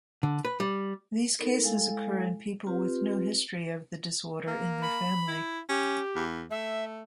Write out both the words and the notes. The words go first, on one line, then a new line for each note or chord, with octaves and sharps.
These cases occur in people with no history of the disorder in their family.
D3
B4
G3
B3 D#4 A4 A#4
G#3 E4 A4 F5 G5 G#5
C4 F4 G4 B4
A#3
B5
E4
C#4 G4
E2
A3 E5